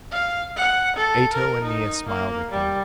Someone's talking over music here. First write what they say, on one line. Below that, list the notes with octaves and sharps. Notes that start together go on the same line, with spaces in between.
Ato and Nea smiled at them.
F5
F#5
A4
A#4
D#4
A#3
G3